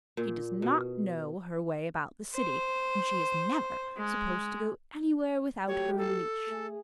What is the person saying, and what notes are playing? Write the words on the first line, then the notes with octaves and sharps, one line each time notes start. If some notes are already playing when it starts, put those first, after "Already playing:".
She does not know her way about the city, and she is never supposed to go anywhere without her leash.
A#2
B2
C5
G#3
F#3 A3 G4 C#5
A4
A3 G#4